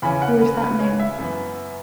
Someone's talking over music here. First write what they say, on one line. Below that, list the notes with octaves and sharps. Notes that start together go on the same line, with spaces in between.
Who is that man?
E2 C#3 E3 C#4 B5
F#5
B4
B4
C#5
E5
F#2 E3 B3